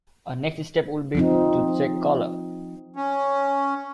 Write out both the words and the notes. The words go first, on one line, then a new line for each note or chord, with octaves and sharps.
A next step would be to check color.
F3 C4 D#4
C#4